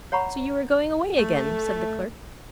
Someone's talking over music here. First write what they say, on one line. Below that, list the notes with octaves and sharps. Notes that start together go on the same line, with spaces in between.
"So you are going away again!" said the clerk.
C#5 F#5 A#5 B5 C#6
A3